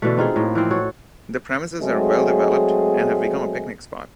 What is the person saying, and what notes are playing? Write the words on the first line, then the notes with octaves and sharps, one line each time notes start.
The premises are well developed and have become a picnic spot.
B2 D3 E3 A3
C4 D#4 F4 G#4
A2 A#3
E3 F3 C4
F#4 A4 C#5
F#3 G#3 A3 C4 G#4